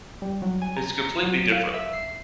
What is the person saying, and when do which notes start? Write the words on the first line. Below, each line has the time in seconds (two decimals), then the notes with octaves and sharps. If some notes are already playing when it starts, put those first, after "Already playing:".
It's completely different,
0.22 G3
0.42 F#3
0.62 G#5
0.77 A#5
0.93 A#5
1.23 F#3
1.52 F5
1.74 E5
1.93 C7